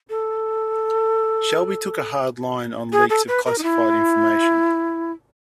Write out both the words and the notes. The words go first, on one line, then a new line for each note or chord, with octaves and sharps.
Shelby took a hard line on leaks of classified information.
A4
G#4
A4
B4
A#4
D#4
E4